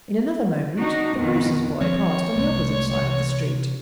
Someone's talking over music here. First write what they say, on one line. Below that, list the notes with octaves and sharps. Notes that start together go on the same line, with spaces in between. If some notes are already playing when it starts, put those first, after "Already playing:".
In another moment, the grocer's boy passed on the opposite side of the street.
D4 D#4 F#4
F2 B2 D#3
F3 C4 C#5
C2 G#3 A3
C3 E3